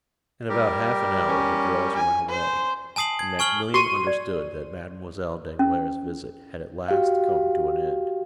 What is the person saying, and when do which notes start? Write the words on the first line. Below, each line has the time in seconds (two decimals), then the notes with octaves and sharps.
In about half an hour the girls went away, and Maximilian understood that Mademoiselle Danglars' visit had at last come to an end.
0.49 G3 G4 A#4
1.27 C#4
1.96 G#5
2.29 C5
2.96 G#5 A5 D#6 C7 F#7
3.19 G#6
3.39 G#5 C#6 F6 F#7 G7
3.74 F#4 C6 C#6 D#7
4.07 D5
5.59 C#4
6.88 F#4 G4 F5